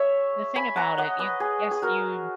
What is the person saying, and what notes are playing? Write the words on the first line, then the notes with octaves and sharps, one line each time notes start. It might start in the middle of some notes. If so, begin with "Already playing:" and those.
the thing about it, you yes, you
Already playing: G#3 C#5 E5
G#5 B5
F#5 A#5
D#5 F#5
B4 D#5
G#4
G#4
F#4 A#4